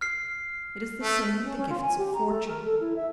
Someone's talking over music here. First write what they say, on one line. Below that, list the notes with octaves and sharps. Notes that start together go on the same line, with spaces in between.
It is the same with the gifts of fortune.
F6 C7
A3
C#4
C#4
F4
G#5
G4
A#5
A3
A#4
A4
E4
E5